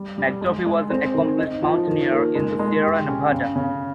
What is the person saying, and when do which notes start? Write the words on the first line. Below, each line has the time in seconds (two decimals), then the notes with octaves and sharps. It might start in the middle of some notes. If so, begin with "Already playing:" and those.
McDuffie was an accomplished mountaineer in the Sierra Nevada.
Already playing: G3
0.18 G3
0.41 G#3
0.66 G#3
0.90 C4
1.14 D#3
1.39 D#4
1.63 F3
1.87 D#3
2.11 A#3
2.35 G#3
2.59 G#3
2.83 G4
3.08 C#4
3.32 C#3
3.56 C#3